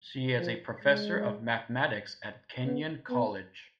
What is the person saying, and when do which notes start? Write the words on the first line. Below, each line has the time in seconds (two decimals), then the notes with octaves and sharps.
She is a professor of mathematics at Kenyon College.
0.38 F3
0.84 G#3
2.64 B3
3.10 B3